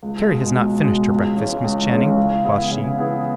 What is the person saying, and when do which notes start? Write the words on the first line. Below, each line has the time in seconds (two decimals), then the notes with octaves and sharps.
"Carry has not finished her breakfast, Miss Channing," quoth she.
0.02 C#2
0.29 B2 G#3
0.56 C#2
0.83 B2 G#3
1.10 C#2
1.37 C#3 E3 G#3 C#4
1.64 C#2
1.91 C#3 E3 G#3 C#4
2.17 C#3
2.44 E3 B3 E4 G#4
2.71 C#3
2.98 E3 B3 E4 G#4